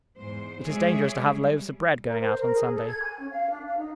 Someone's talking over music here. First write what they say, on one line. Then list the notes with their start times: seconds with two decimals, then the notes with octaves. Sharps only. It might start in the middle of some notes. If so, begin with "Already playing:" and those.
It is dangerous to have loaves of bread going out on Sunday.
0.18 E2 G#2 C5
0.65 F#3 G#3 G#4 C#5 D5 E5
1.24 G3
2.05 A#4
2.20 C5
2.41 A#4
2.56 G#4
2.75 A4
2.87 G#6
3.03 G#5
3.19 C#4
3.31 F5
3.50 D4
3.66 F5
3.78 D#4